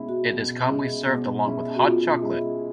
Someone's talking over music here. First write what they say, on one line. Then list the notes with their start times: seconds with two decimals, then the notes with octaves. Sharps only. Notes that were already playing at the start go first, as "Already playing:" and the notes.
It is commonly served along with hot chocolate.
Already playing: B2 G#3 C#4 E4
0.09 F#4
0.29 B2
0.68 G#3 C#4 E4
1.06 B2
1.45 G#3 C#4 E4
1.76 F#4
1.83 B2 F4
2.22 G#3 C#4 E4